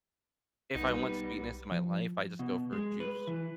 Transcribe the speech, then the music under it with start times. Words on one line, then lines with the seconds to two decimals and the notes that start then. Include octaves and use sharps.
if I want sweetness in my life, I just go for a juice.
0.75 B1 G3 B3 D#4
1.72 F3
2.39 B2
2.73 G#3
3.00 B4
3.27 E3